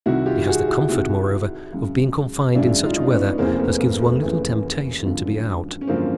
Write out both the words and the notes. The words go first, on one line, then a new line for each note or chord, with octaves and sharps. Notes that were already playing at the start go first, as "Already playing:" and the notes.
She has the comfort moreover of being confined in such weather as gives one little temptation to be out.
C2 C3 D#3 E4 F#4
F4 G4
F#4 G#4
E4 F#4
C2 C3 D#3 E4 F#4
G#1 F#2 C#3
G#1 F#2 C#3 D4 E4
D#4 F4
D#4
D4
B3 C#4
F1 E2 C#3 E3 A#3 C4
A3 B3
A#3
A3 B3
F1 E2 C#3 E3 B3 C#4
G#1 F#2 D3 F3
C#4
G#1 F#2 D3 F3 A#3 C4